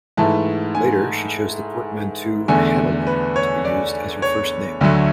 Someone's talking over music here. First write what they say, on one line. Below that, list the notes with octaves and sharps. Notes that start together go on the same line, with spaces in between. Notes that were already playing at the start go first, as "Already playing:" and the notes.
Later, she chose the portmanteau "Hannelore" to be used as her first name.
G#2 E3 A3 A5
G#5
E2 D3 A3 G#5
B4
C#5
D5
C#5
D2 D3 F#3 A3